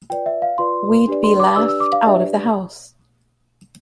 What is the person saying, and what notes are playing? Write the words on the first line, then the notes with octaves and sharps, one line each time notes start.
We'd be laughed out of the house.
F4 B4 D5 G5
E5
F5
F4 B4 D5 C6
D4 G4 B4 D5
C6
D6
D4 G4 B4 D5 E6
E6
D6
F5
D4 G4 B4 D5 E5